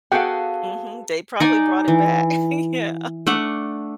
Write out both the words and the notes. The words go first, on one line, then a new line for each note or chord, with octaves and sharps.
Mhm. They probably brought it back. Yeah,
B3 F#4 G#4 A4 F5 G5
D#4 D5 G#5
E3
A3 D4 F#5